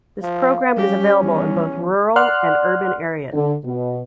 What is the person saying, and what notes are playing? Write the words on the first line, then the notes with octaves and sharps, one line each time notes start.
This program is available in both rural and urban areas.
F3 F5
G3 C#4 G4
E2 E4
D5 F#5 C6 F6 F#6
D3
B2